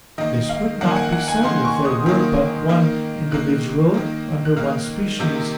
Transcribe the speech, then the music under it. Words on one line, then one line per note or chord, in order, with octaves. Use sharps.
But this would not be so if there were but one individual under one species.
D#3 A#3 D#5
F5
D#3 A#3 F#5
G#5
F#5
F#5
G#5
D#3 A#3 C6
C#6
D#6
D#3 A#3
D#3 A#3
D#3 A#3 F#6
D#3 A#3
F#6
D#3 A#3 F6
C3 D#3 A#3